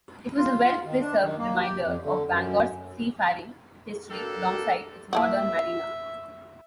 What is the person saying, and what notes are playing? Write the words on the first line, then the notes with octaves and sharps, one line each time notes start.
It is a well-preserved reminder of Bangor's seafaring history alongside its modern marina.
F4
F4
D#3
D4
D#3
A#3
G4
F2
D3
F#2
A#3 D4 G4 A4
A#3 E4 F#4 E5